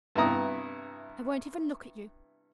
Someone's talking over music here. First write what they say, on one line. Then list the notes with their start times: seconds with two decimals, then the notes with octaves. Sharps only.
I won't even look at you.
0.15 G2 C3 B3 E4 A#5 D#6